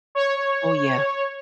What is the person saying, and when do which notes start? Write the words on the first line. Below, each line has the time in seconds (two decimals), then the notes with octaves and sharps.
Oh, yeah.
0.15 C#5